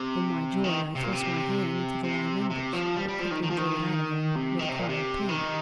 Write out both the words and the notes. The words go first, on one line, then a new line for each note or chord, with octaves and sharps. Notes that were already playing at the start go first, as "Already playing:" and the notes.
In my joy I thrust my hand into the live embers, but quickly drew it out again with a cry of pain.
Already playing: C3
D#3
C3
A#2
C3
C3
C3
F3
G3
G3
F3
D#3
D#3
F3
D#3
C3
D#3
C3
A#2
C3
D#3